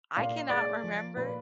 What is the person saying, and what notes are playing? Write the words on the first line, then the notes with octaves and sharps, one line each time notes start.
I cannot remember.
A#2 F5
G#3 D5
F3
A#2 B4